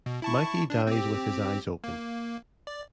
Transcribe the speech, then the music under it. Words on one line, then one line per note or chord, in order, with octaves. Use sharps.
Mikey "dies" with his eyes open.
B2
E4 A5 C#6
D4
C4 G4
A#3
D5